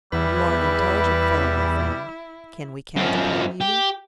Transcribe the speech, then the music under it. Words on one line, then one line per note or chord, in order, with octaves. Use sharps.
"You are an intelligent fellow, my friend; can we count upon you?"
E2 G3 E4 B4
F#2 F3
G4